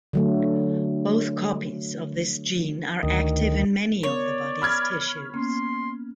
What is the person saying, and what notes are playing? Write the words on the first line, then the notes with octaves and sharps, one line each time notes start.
Both copies of this gene are active in many of the body's tissues.
D3 F#3 A3
D2 D#3
B3 A#4 C#5 D5
B5 E6 F6 G#6
A#3 B3 C#4 C6